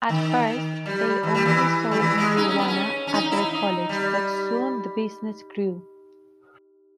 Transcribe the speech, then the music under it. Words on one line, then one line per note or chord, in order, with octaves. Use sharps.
At first, they only sold marijuana at their college, but soon the business grew.
D#3
G3
E3
G3
E3
G3
E3
G#3
D#4
C#4
B3
C#4
C#4
D#4
E4
D#4
D#4
G3